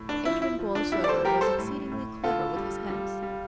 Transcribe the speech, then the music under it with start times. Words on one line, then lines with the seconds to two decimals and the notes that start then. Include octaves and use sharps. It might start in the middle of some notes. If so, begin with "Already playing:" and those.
Adrian Borlsover was exceedingly clever with his hands.
Already playing: A2
0.09 D4
0.25 F3 E4
0.42 E4
0.59 F3
0.75 D4
0.92 G3 E4
1.04 D5
1.08 A4 C5
1.24 G3 G4 A#4
1.41 A4 C5
1.58 A2
1.91 A2
2.23 D3 F4 A4
2.56 G3
2.90 G3
3.22 G3